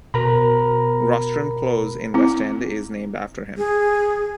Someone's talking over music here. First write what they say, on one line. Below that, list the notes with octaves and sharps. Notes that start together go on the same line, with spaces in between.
Rostron Close in West End is named after him.
B2 A#4 A#5 B5
C4 E4
G#4